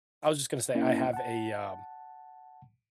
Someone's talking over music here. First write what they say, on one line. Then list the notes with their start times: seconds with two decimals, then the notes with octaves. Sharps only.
I was just gonna say, I have a, um
0.75 A#3 C#4 E4
1.13 F#5 A5